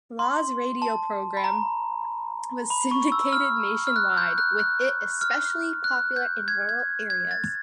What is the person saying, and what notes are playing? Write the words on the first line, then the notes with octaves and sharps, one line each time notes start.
Laws' radio program was syndicated nationwide, with it especially popular in rural areas.
C6
A5
B5
A#5
B5
C#6
E6
F6
F6
F#6
G6
F#6
F#6
F6
F#6
G6
G#6
G#6
G#6
A6